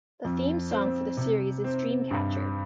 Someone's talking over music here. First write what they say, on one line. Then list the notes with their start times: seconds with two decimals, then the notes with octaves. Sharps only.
The theme song for the series is Dream Catcher.
0.24 F2
0.71 C4
1.17 C3
1.64 C4
2.11 G2